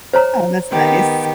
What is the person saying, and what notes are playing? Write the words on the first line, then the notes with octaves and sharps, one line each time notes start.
Oh, that's nice.
C5 C#5 A#5
D#3 B3 G4